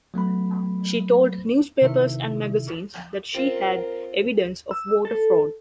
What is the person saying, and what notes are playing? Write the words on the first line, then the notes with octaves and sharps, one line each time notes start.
She told newspapers and magazines that she had evidence of voter fraud.
F#3 A3 B3 B5
C3 D#3 E4 E5
C4 F4 A#4
E6
A4